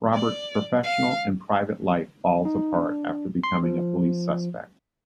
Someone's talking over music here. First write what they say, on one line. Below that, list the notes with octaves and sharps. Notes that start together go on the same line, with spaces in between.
Robert's professional and private life falls apart after becoming a police suspect.
D5
F5
D#4
D4
C6
F3